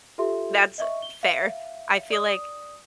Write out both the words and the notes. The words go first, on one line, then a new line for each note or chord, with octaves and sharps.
That's fair. I feel like
F4 G4 A4 E5 C6
D#5 E5 C#6
G7
E5 F5
D5 D#6